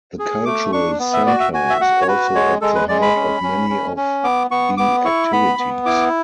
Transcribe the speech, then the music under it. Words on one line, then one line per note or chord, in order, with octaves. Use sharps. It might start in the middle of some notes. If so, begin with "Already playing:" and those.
The cultural centre is also at the heart of many of the activities.
G#4
A3 D6
D4 C#6
B3
E5
F#4 D5
E5
F#4 G#5
E5
F#4 F#5
C#5
F#4 B4
G#3 C#5
G#3 A4
B4
G#3 D5
B5
C#4
C#4
C#4
C#4
B3 D6
B3 C#6
B3 D6
E4 C#6
B3 B5
B3
E4 D6